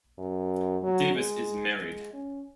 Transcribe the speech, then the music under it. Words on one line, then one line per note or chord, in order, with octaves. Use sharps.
Davis is married.
F#2
F#3
G#3
G#3
C#4